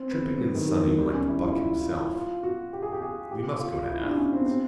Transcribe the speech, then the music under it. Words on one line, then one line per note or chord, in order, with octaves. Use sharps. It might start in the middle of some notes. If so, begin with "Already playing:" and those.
Tripping and sunny like the buck himself. We must go to Athens.
Already playing: C4
B3
F#3
D#3
D#3
F#3
G3
C#4
E4
F4
E4
F4
F4
E4
F4
F#4
G4
G#4
G4
G#4
G4
F4
E4
D4
C#4
C4
C4